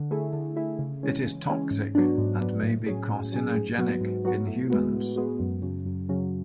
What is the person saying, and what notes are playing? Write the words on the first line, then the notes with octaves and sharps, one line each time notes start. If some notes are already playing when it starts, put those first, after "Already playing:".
It is toxic and may be carcinogenic in humans.
Already playing: D3
A3 E4 G#4
D3
A3 E4 G#4
C#3
E3 G#3 C#4
C#3
E3 G#3 C#4
G#2
F#3 B3 D4
G#2
F#3 B3 D4
A2
F#3 C#4 G#4
A2
F#3 C#4 G#4
G#2
F#3 B3 F#4
G#2
F#3 B3 F#4
A2
G#3 B3 F#4
A2
G#3 B3 F#4
F#2
C#3 F#3
F#2
C#3 F#3